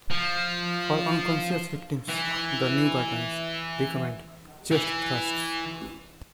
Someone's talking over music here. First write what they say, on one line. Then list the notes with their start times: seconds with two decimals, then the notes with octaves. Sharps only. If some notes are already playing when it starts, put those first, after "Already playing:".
For unconscious victims, the new guidelines recommend chest thrusts.
0.11 F3
2.09 E3
4.71 E3